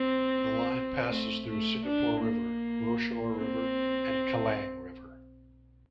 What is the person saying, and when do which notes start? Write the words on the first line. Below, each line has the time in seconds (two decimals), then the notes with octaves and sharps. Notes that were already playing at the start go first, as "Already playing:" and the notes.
The line passes through Singapore river, Rochor river and Kallang River.
Already playing: C4
1.09 A3
1.48 A3
1.86 D4
2.23 A#3
3.37 C4